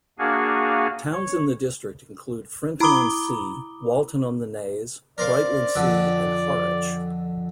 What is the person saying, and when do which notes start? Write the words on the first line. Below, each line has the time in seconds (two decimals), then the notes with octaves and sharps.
Towns in the district include Frinton-on-Sea, Walton-on-the-Naze, Brightlingsea and Harwich.
0.19 A#3 D4 F#4 G#4 F5 G#5
1.12 C#5
2.80 E4 A#5 B5 D6 D#6 G7
5.18 A#4 C5 D5 F5
5.75 F2 D3